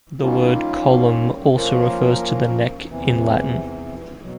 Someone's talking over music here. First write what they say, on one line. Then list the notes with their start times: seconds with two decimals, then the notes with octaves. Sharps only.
The word "collum" also refers to the neck in Latin.
0.22 D#3 G3 A#3 C#4 F4
1.55 F3 A#3 C#4 F4 A#4
2.88 E2 C3 E3
4.22 B2 F#3